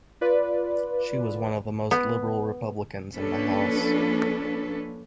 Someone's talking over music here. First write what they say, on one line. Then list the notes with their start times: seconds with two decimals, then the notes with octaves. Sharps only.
She was one of the most liberal Republicans in the House.
0.21 F4 B4 D5
1.91 B3
3.14 F3 A#3 C#4 D4 A4 B4